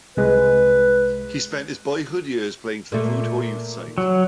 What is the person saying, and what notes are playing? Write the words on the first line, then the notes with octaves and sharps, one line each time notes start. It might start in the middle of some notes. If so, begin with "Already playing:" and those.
He spent his boyhood years playing for the Prudhoe youth side.
C2 G#3 B4
A#2 A3
F#3